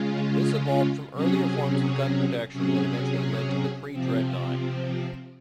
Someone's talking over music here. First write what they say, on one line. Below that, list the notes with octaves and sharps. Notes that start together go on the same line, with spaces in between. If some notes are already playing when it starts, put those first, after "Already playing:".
This evolved from earlier forms of gun protection that eventually led to the pre-dreadnought.
Already playing: C#3 G#3 C#4 F4
C3 F#3 C#4 G#4
C3 F#3 C#4 G#4
C3 F3 C4